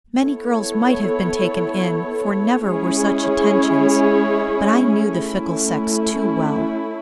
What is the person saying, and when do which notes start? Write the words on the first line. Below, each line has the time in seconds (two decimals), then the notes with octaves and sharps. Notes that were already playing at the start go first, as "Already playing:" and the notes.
Many girls might have been taken in, for never were such attentions; but I knew the fickle sex too well.
0.23 B3 E4 A4 C#5
2.68 G#3 C#4 E4 G#4 C#5
5.13 A3 C#4 E4